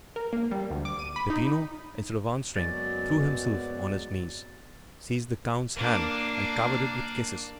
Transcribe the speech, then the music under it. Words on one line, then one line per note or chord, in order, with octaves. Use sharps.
But Peppino, instead of answering, threw himself on his knees, seized the count's hand, and covered it with kisses.
A#4
A#3
G3
D2
D6
D#7
B5
D#4
F#1 F#2 F#3 G#3 B3 D5 A6
A#3 D4